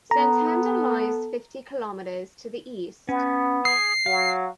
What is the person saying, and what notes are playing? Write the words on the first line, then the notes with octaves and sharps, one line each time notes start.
Santander lies fifty kilometres to the east.
B3 A4 A#5
B3 C#4
G#4 D#6 C7
F#3 F5